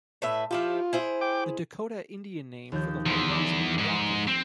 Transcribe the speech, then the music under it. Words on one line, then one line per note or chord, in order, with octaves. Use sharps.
The Dakotah Indian name for the lake was Minnewaukon.
A2 B4 E5
F3 E4 F4 G4
E4 G#4 C5
G5 D6
D#2 F3 G6
E2 C6
D#1 D5
G#2
C4 A#6 D#7